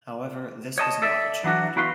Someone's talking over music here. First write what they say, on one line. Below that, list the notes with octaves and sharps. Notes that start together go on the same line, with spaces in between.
However, this was not achieved.
C#5 D#5 A5
A4 D5 E5
E3 F#3 D4 F#4
E2 E4 F#4 B4 F5 C6